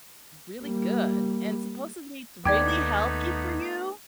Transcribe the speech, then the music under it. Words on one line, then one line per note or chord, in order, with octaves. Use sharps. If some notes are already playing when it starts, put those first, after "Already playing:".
really good and supposedly it's really healthy for you.
G3 A#3
D#2 A3 B3 D#4 D5 G5 D6 G#6